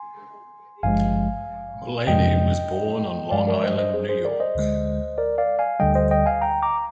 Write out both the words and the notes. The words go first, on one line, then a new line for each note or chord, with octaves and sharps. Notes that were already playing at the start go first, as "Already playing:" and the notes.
Mullaney was born on Long Island, New York.
Already playing: G#5 C6
G#1 G2 F3 G#3 F5 G#5
F2 C3 F3 G#3 D#5 G5
G2 F3 G#3 D5 F5
A#4 D5
C5 D#5
C5 D#5
G#4 C5
G#4 C5
A#4 D5
C5 D#5
D2 D3 G#3
A#4 D5
D5 F5
F5 G#5
D2 D3 G3 D#5 G5
C5 D#5
D#5 G5
F5 G#5
G5 A#5
A#5 D6